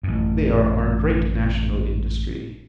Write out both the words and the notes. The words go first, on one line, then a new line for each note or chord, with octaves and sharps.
"They are our great national industry."
A1 F#2